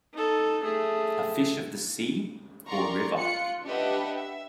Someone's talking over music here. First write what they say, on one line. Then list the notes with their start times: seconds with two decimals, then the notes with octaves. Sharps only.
A fish of the sea or river?
0.13 D#4 A4
0.64 A3 G#4
2.68 A#4 D5 A#5 C6 C#6
3.18 F4 F#6 C#7
3.64 D4 G4 B4 D#5 E5 F#5
4.14 E5